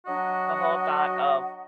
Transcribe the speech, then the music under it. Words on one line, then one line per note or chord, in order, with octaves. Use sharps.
the whole thought of,
F#3 D4 F#4 D#5 F#5